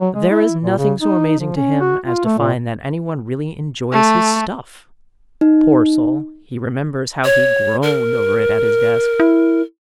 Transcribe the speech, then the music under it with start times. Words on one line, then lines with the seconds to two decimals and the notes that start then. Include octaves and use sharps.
There is nothing so amazing to him as to find that any one really enjoys his "stuff." Poor soul, he remembers how he groaned over it at his desk.
0.01 F#3
0.15 G#3
0.30 E4
0.63 A#2
0.78 C#3
1.01 D#4
1.39 F3
1.56 C#4
1.81 F#4
2.04 F4
2.25 A3
2.38 A#2
3.92 A3
5.41 D#4
7.24 C#5
7.83 A#4
9.20 E4